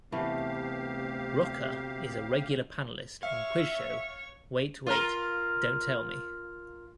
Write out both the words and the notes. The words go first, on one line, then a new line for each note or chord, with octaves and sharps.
Rocca is a regular panelist on quiz show Wait Wait... Don't Tell Me!
D2 C3 E3 A3 B3 G4 F5
C#5 E5 F5 C#6
F4 A#4